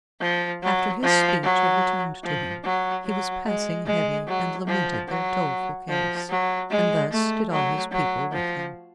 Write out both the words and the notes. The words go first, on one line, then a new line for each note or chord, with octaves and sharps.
After his speech had returned to him, he was passing heavy, and lamented their doleful case, and thus did all his people with him.
F3
F#3
F3
F#3
F3
F#3
F#3
G#3
G#3
F#3
F3
F#3
F3
F#3
G#3
A3
F#3
F#3
F3